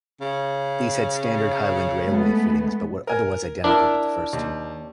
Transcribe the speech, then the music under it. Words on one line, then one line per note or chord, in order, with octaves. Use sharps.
These had standard Highland Railway fittings but were otherwise identical to the first two.
C#3
G#3 A3 B3
A#4 G#5
D4 E4 A#4
D#2